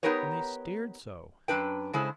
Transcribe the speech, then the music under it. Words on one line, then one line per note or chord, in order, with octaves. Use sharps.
And they stared so!
B3 D#4 G4 A#4 B4 C#5
F#2 E3 D4 B4 G5
C#3 G#3 E4 A4 C5